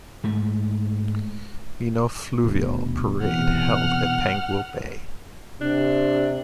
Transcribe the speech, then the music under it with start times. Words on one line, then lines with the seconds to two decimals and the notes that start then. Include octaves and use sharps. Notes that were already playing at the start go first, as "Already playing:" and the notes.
Nino Fluvial Parade held at Panguil Bay.
0.24 G#2 A3
2.44 D#1 D2 B2
3.23 E1 E2 C3 F#5 F6
5.61 C3 D4